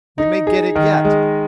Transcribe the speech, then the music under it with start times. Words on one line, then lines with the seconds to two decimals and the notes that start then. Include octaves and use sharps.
"We may get it yet!"
0.18 D#4
0.47 G#4
0.75 D#3
1.05 G#3